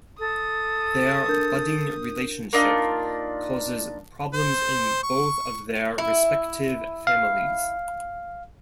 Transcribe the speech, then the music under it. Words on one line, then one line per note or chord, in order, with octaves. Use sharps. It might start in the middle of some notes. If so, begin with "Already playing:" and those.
Their budding relationship causes problems in both of their respective families.
A4 D#6
D4 A#4 G6
A#3 D4 D#4 F4
C5
C#6
E4
F5